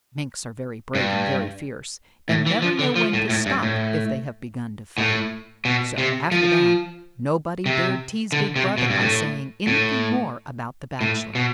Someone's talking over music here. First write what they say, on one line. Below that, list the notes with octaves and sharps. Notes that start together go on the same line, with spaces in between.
Minks are very brave and very fierce, and never know when to stop if they have begun to fight; so, after that, nobody dared tease Big Brother by saying anything more about the Bachelor.
G2
A2
E3
F3
D3
F3
A2
A2
G2
A2
A2
B2
C3
F3
C3
D3
C3
B2
G2
A2
A2
A2
B2